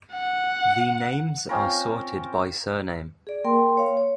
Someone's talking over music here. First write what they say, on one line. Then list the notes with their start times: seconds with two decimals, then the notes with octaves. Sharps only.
The names are sorted by surname.
0.13 F#5
1.49 C4 C#4 F4 A#4
3.27 G#4 D5
3.44 A#3 A#4 G5 C6
3.77 C#5 F5
3.97 C#5